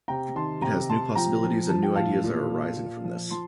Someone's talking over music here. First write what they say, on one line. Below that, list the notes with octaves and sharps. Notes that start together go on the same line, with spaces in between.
It has new possibilities and new ideas are arising from this.
C3 G5 A#5
D#3 A5 C6
C3 G5 A#5
C3 A5 C6
F3 G5 A#5
F3
F3 A5
G5
A2 F5 A5
A#2
A#2
A#2
F3
F3 A5 C6